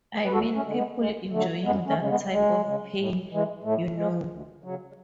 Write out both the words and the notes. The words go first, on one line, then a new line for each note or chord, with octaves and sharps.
I mean ... people enjoying that type of pain, you know?
B4
E2 F#4 A4
A3 C#4
D3 G#3
G#3 B3
D2 G#3
D3 F#3 A3
F#2 G#3 B3
A3 C#4
C#3 G#3
G#3 B3
D2 G#3
C#3 G#3
A2
E3 G#3
A2 A3
G#3
D2
C#3 F#3